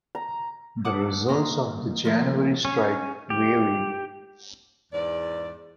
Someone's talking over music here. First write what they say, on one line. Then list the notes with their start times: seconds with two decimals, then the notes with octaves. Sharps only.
The results of the January strike varied.
0.15 A#5
0.85 F#5 A5 D6 D#6
1.28 D#3 A#3 A#5 C6 D#6
2.05 A2 D#3 F3 A#3
2.65 C#4
3.30 G4
4.93 E2 G#2 D5